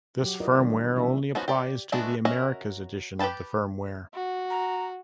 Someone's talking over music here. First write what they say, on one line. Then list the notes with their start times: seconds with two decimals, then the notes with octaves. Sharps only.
This firmware only applies to the America's edition of the firmware.
0.19 F#3 F#4 G4
0.40 E4 F4 A#4 B4 D5 D#5
0.59 D#3 G3 A#3 D4
0.96 C3 E3 D4 E4 E5
1.35 F3 B3 C#4 D#4 F#4
1.48 G4 D5
1.92 G#3 A3 B3 D4 F#4
2.25 C#4 F#4 A#4 D#5 E5
3.19 G4 B4 G5 A5 B5
4.14 F#4
4.50 A#5